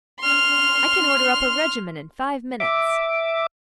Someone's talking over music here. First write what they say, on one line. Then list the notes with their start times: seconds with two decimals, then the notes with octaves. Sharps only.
'I can order up a regiment in five minutes.'
0.21 C6 F6
2.60 E5 D6